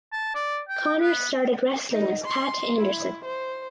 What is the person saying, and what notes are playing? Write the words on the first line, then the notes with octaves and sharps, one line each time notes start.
Connors started wrestling as Pat Anderson.
A5
D5
G5
B3
D#4
C6
E4
C5